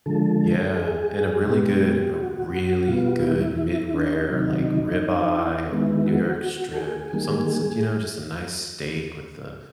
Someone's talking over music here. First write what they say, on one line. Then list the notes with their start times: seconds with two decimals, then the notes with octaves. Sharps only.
yeah, and a really good a really good mid-rare, like, ribeye or New York strip, some s you know, just a nice steak with, uh,
0.06 D3 F3 G#3 A4
0.76 G#4
1.43 G#4
1.47 B2 G#3 B3 G4
2.19 F#4
2.88 B2 G3 B3 F4
3.07 F#4
3.16 F4
3.23 E4
3.94 D4
4.13 D#4
4.30 C3 D#3 F#3 D#4
4.65 D#4
5.37 E4
5.72 D#3 G#3 B3
6.06 F#4
6.71 A4
6.78 G#4
7.13 D#3 G3 A#3